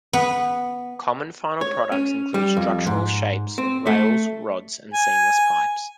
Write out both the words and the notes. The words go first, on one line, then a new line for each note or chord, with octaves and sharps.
Common final products include structural shapes, rails, rods, and seamless pipes.
B3
C#5
C#4
G3
F2
G#2
C4
A3
G#5